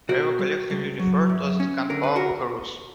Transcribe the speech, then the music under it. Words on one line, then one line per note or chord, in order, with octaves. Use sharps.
They were collectively referred to as the Kung-Pao Buckaroos.
B2 F#4 A#4
G3
C#2
F#3
F#2
C#4
D3 A#4
B4
F#4 A#4